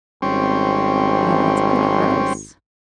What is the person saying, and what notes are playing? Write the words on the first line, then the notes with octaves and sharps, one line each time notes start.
Yeah, it's pretty gross.
G#1 G3 C4 C#4